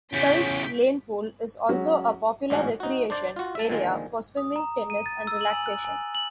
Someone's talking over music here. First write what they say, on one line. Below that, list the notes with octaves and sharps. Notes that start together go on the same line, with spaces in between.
Phelps Lane pool is also a popular recreation area for swimming, tennis and relaxation.
E2 C#3 C#4 G6 B6 D7
F#3 G#3 C#4 F#4
A1 G#2 G#3 C#4 F#4
D#4 F#4
D4 C5 D5
F4 F#4
A4 E5
A#2 D3 D#3 F3 G#3
D#6
A#5
D#7
A6
E6
F#7
G#5
F#6
G#5
F#7